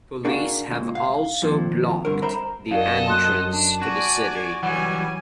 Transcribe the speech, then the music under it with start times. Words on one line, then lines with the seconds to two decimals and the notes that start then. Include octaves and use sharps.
Police have also blocked the entrance to the city.
0.25 D4 F#4 G#4 A#4 D5 F5
0.71 C#2 A#2
0.95 F5
1.42 F2 A#2 D#3 F3
2.05 C2 G2 D3 A#4
2.22 A#4 C5 E5 A#5 B5
2.71 F#2 A4 A#4 D5 D#5 F5
3.08 C6 F#6
3.53 D4 A5
3.82 F#4 D5 G#5
4.63 E3 F#3 G3 F#5 G#5